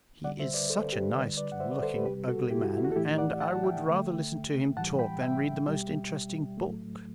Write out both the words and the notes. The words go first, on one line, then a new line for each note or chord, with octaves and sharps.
He is such a nice-looking ugly man, and I would rather listen to him talk than read the most interesting book....
D3 G3 D5 F#5
C5 E5
B4 D5
A4 C5
G4 B4
D3 G3 B4 D5
B4 D5
F#5
C5 E5
B4 D5
A4 C5
G4 B4
C3 G3 G4 B4
F#4 A4
E4 G4
F#4
E4
F#4
A4
A2 E3 A3 E4 G4
D5 F#5
F#5 A5
E5 G5
D3 A3
A2 E3 G3 F#5 A5
G5 B5
E5 G5
B2 G3
A2 F#3 A3